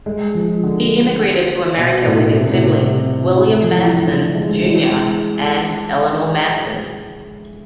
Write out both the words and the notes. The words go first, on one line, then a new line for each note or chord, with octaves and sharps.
He immigrated to America with his siblings, William Manson, Junior and Eleanor Manson.
G#3
F3
D3
B2
A2
C3
A2
C3
A3
F3
E3
D3
D3
D3
G#3
G#3
E3
G#3